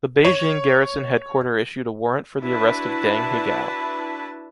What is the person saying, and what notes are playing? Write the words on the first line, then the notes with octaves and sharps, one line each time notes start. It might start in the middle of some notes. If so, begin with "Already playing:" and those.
The Beijing Garrison headquarter issued a warrant for the arrest of Deng Hegao.
C#5
D4 E4 F#4 B4 A5